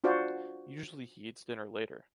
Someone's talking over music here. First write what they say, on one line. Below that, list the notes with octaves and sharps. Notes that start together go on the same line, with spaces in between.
Usually he eats dinner later.
D4 F4 F#4 C5 D5 F5